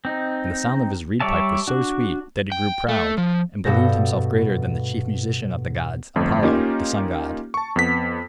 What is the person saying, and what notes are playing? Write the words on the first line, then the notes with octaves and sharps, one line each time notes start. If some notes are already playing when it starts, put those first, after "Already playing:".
And the sound of his reed-pipe was so sweet that he grew proud, and believed himself greater than the chief musician of the gods, Apollo, the sun-god.
C4 D#4
G3 C#5 D5 E5 A5
D4 F#4
G5
A3
F3
G2 B2 F#4 A4 G6 A#6
G1 F2 A3
A#3 C#4 D#4 F4 G4
A5 C#6
F2 B3 B6